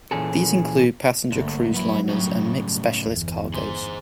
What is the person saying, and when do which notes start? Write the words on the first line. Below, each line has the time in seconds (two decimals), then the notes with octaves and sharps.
These include passenger cruise liners and mixed specialist cargoes.
0.11 A#2 E3 C#4 G#4 A4
1.32 G1 D2 A3 A#3
1.74 G2 F#3 B3 E4
2.09 A2 C#3
3.01 G1 E2
3.54 G#4 C5